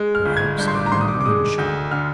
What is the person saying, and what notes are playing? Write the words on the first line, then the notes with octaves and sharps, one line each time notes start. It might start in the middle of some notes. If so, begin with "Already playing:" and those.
"Perhaps at my wine-shop?"
Already playing: G#3
F6
G1
G#6
G2 G6
C6
D6
A#5
D#3 C6
D#6
D6
D6
G#3 D#6
D2 G6
D3 F6